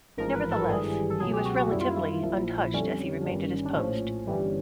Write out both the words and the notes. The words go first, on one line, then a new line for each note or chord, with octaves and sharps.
Nevertheless, he was relatively untouched as he remained at his post.
A1 G#2 F3 A#4
B4
A4
G#1 G2 E3 G3 G#4
A4
C#2 B2 F#3 G#4
G4
F#4
F#4
F#2 D#3 G3 E4
F4
E4
A#1 A#2 F3
F2 D3 G3 C#4
G1 G2 D#3 G3
D4
A#1 A2 F3 C#4
G1 G2 E3 G3